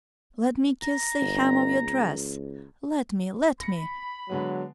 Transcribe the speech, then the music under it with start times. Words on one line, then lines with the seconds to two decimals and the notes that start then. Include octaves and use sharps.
Let me kiss the hem of your dress, let me, let me....
0.83 A#5
1.21 G1
1.81 C#2
3.60 B5 A#6 C#7
4.29 D3 F#3 G#3 B3